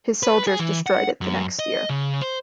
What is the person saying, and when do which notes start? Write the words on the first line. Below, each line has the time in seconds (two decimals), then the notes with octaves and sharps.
His soldiers destroyed it the next year.
0.23 B4
0.47 G#4
0.59 E3
0.86 F#5
1.21 F#2
1.59 D#5
1.89 C#3
2.22 C5